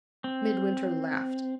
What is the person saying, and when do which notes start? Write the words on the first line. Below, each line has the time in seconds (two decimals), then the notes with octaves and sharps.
Midwinter laughed.
0.24 C4